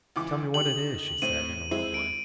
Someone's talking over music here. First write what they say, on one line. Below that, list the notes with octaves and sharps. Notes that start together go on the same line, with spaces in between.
'Tell me what it is,' she said, in a low voice.
C#2 E3 D6
D#3 G4 F#7
A2 C4 D#7
G#3 C4 E4
D7